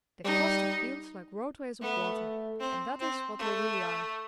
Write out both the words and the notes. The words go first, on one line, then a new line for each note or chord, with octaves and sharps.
They cross the fields like roadways of water, and that is what they really are.
G3 D#4
A3 B3
C4
C4
A3